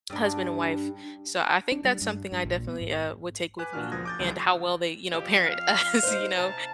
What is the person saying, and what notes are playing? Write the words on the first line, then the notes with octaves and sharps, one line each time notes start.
husband and wife. So, I think that's something I definitely, uh, would take with me, and how well they, you know, parent us, you know,
G2 D4
D4
G3
G2
G2
A#1
B3
G#2
B4 G#5 D6 F#6
A#2 D4 F#4 F6
C#2 F3 A#4 D#6 G#6 A#6
D6 G6 A6
C#2 E3 F#3 G#3
F2 G4
F5
D#4 C5
C3 A5 A#5